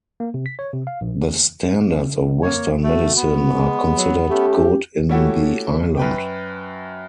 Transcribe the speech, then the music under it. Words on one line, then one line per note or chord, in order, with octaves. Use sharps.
The standards of western medicine are considered good in the island.
A#3
C3
B6
C#5
C3
F5
A#1
A#3 C#5
A3 F#4
B3
G#3
F#3
A3 C#4 G4
A3 C#4 E4 F#4 G4 A4
F#2 B4 G5